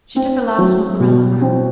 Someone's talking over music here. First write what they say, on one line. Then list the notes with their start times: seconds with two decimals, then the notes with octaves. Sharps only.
She took a last look round the room.
0.16 C4
0.58 F#3
1.00 B2
1.42 C4